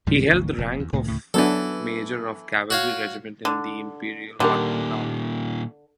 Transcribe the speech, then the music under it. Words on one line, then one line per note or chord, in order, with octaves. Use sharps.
He held the rank of major of cavalry regiment in the imperial Ottoman army.
C#2 G#2 D#3 G3
G#1 D2
F1 A#2
E2
C2 A2 C3 D#3
D2 A2 C#3
E3 F#3 B3 D4 A4
F#4 C#5 F5
D3
A#2 D3 D#3 D4 G4 A#4